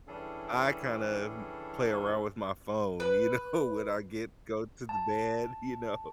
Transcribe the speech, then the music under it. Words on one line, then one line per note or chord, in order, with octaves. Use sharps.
I kinda, m play around with my phone, you know, when I get go to the bed, you know,
E3 G3 C#4 D4 G#4 A4
B4
A5